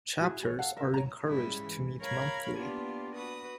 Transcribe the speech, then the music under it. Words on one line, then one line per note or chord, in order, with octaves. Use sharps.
Chapters are encouraged to meet monthly.
E4 F#4 G#4
G#4 C#5
A4 F5 F#5
A#4 E5
C#5 A#5
G#2 C#3 G3 E4
E3
A#4 C#5 F5 A#5 B5 G#6
A#3 B3 D4 F4 G4
F#4 B4 D#6